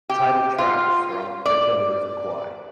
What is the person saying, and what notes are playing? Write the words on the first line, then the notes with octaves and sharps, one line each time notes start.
title track from Bridge on the River Kwai.
G4
F4
D5